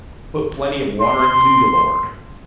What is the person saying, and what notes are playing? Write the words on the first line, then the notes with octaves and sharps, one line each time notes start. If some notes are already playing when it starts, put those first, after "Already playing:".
"Put plenty of water and food aboard."
C6